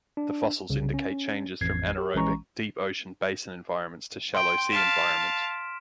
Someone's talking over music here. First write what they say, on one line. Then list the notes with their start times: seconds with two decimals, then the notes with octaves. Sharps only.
The fossils indicate changes from anaerobic, deep ocean-basin environments to shallow sea environments.
0.17 D4
0.70 C2 C#3
0.94 C#4
1.61 A1 F2 G#6 C7
1.98 G4
2.14 A#1 E3 G#3 C#4 A#5 C#6
4.35 G5 C6 D7
4.72 F5 A5 F6 B6 E7